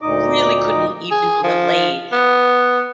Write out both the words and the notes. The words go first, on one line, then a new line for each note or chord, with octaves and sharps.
really couldn't even relate.
D2 A#2 D#4 D#5 D6
G#4
F3
B3